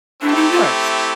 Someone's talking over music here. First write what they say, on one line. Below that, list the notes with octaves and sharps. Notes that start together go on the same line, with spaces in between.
Of course.
A3 C4 D4 E4 G4
D#4
F4